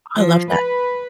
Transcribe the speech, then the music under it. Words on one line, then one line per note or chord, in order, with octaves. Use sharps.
I love that.
F3
B4